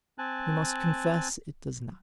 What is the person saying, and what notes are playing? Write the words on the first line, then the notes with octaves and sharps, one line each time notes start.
We must confess it does not.
C4 G#5 A5 F#6